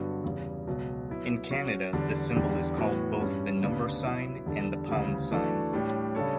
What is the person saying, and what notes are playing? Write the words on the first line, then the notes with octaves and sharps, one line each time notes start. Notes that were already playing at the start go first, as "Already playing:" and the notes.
In Canada the symbol is called both the "number sign" and the "pound sign".
Already playing: G2 D3 F#3 B3 F#4
E2 C#3 G3
C#2 B2 F#3
F#3 B3 E4
F#3 C#4 F#4
E2 D3 G3 D4
E2 D3 G3 D4 G4
A2 E3 B3 F#4
G2 E3 G3 C#4
D2 C#3 G3 B3 D4
F#3 B3 E4 B4
E2 D3 G3 D4 A4
D2 C#3 E3 G3
E3 A3 D4 F#4 A4
A2 G3 D4 G4 C#5
C#3 G3 D4 A4 C#5